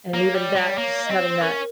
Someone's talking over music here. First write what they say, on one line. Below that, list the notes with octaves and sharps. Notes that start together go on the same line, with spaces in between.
and even that, just having that,
C5
A#3 C#5
G3
G3
A#3
C4 D#5
C#5
C5
C#4 A#4